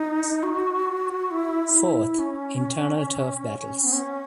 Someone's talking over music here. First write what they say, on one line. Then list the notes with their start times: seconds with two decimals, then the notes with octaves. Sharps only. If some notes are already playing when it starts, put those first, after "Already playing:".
Fourth, internal turf battles.
Already playing: D#4
0.43 F#4
1.31 E4
1.74 E4
2.19 C#4
3.84 B3
3.93 C#4